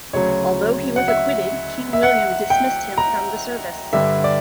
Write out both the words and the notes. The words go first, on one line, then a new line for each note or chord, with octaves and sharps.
Although he was acquitted, King William dismissed him from the service.
D2 C#3 F#3 C#5
F#5
E5
E5
F#5
G5
A#5
G2 D3 G3 E5
D5